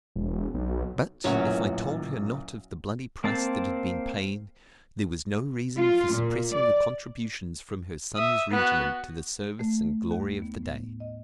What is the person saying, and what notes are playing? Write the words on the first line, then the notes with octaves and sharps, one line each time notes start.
But, if I told her not of the bloody price that had been paid, there was no reason for suppressing the contributions from her son's regiment to the service and glory of the day.
E1
B1
A1 F#2 A#2 F#3 C#4 F#4
A#3 C4 C5 A5
F4
A#2
D5
E5 D#6
B3 F#4
A3
D#2
B3
A2
D#5